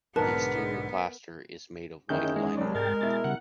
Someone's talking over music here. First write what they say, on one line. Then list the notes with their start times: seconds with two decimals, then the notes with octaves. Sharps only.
The exterior plaster is made of white lime mortar.
0.16 B1 G#2 D3 B3 A#4 B4 A5
2.09 F#1 D#3 C#4 D#4 E4 G#4 G6
2.36 G#3
2.57 C2 F#3 D5
2.75 G#2 A#4 G5 A6
3.01 B2 E4 A6
3.24 C#3 G3 F#5